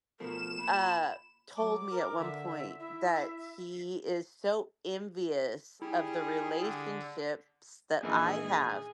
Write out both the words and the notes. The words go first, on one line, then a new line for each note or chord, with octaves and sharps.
uh, told me at one point that he is so envious of the relationships that I have
B2 F3 A3 A#4 E7
A#2 B5
F#3 D6
A#4
D3 E5
E4 E5
G3 E4 G#4
D3
A#1 E3 D#4 G#4